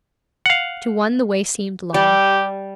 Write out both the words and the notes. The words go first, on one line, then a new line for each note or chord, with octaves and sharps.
To one the way seemed long.
F5 F#5
G3 G4